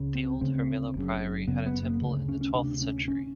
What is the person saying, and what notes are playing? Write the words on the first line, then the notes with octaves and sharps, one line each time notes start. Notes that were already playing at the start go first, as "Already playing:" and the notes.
The old Hermelo priory had a temple in the twelfth century.
Already playing: C#2 C#3
C4
D2 C#3 C4
F#1 F#2 C#3
F#1 F#2 C#3 B3
B3
A#3
D2 C#3
C#4
C#4
D2 C3 D4
C#4
G#1 C#4